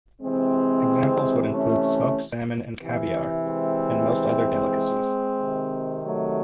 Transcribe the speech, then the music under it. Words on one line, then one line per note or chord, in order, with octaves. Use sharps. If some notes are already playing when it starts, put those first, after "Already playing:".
Examples would include smoked salmon and caviar, and most other delicacies.
C3 E3 G#3 C4
A3 C#4
C3 E3
G#3 C4
C3 D#3
F#3 A3